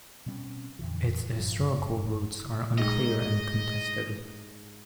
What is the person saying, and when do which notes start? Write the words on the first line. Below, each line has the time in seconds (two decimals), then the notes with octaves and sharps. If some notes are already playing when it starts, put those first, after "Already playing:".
Its historical roots are unclear and contested.
0.26 B2 G3 C4 C#4
0.79 F2 A#2 D3 E3
1.38 F#1 G2 F3
2.78 G#2 D#4 D#5